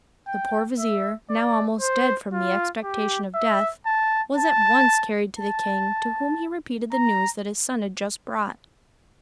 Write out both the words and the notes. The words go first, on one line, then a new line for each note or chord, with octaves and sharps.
The poor vizier, now almost dead from the expectation of death, was at once carried to the King, to whom he repeated the news that his son had just brought.
G5
E5
D5
C5
F4
G4
E5
A5
A5
A5
A#5